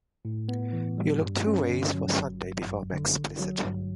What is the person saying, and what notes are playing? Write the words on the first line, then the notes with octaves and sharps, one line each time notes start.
You'll look two ways for Sunday before I'm explicit.
A2
B3
E3
G3
G2
C#4
D3
F#3
G1
G1
F#2
D3
A1
F#3
G2